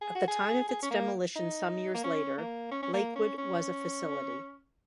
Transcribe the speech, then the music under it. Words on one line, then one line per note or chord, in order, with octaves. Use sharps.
At the time of its demolition some years later, Lakewood was a facility.
G#4
F#4
G#4
G#4
C#4
A#3
D#4
A#3
C#4
A#3
C#4
C#4
A#3
C#4
C#4